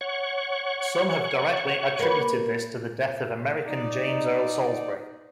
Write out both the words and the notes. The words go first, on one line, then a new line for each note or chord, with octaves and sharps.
Some have directly attributed this to the death of American James Earl Salisbury.
C#5 F#5 C#6
A#3 B4
D#4 D5